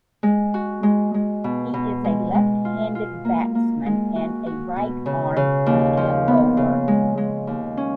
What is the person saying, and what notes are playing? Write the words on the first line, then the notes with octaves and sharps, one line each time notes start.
He is a left-handed batsman and a right-arm medium bowler.
G#3
F#4
G#3
G#3
B2
B2
G#3
G#3
F4
F4
A#3
A#3
G#3
F#4
F#4
B2
C#3
C#3
D#2
F3
B3
C#3
G#3
G#3
D#2
C#4